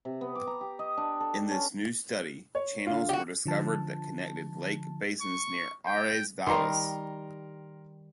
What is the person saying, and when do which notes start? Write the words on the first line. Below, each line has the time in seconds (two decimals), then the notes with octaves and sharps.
In this new study, channels were discovered that connected lake basins near Ares Vallis.
0.05 C3
0.21 B3
0.35 D6
0.47 A#5
0.61 G4
0.79 D#5
0.97 D4
1.20 A4
1.51 C#4
2.55 C#5
2.87 D3 F4
3.09 F#4 G4
3.45 D3 F3 A5
5.21 C#6
5.87 G5
6.47 D#3 G3 A#4 A#5 C6